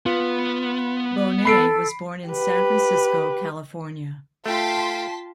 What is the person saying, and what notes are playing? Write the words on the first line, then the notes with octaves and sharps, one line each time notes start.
Bonet was born in San Francisco, California.
B3 F4
A4 B5 C7 D7
G4 B4
A3 F4 F5 G5 A5 C6 B6